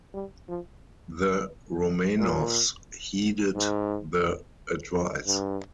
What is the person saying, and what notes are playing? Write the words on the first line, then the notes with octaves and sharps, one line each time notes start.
The Romanovs heeded the advice.
G3
F3
A#2
G#2
F2
G2